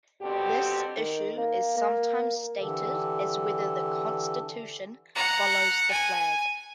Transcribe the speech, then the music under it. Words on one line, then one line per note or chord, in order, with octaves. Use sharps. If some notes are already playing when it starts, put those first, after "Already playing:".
This issue is sometimes stated as whether the Constitution follows the flag.
B2 D3 G3 C4 G4
D#3
A#3
A#3
D3 E3 G4 A4
F#5 A#5
G#5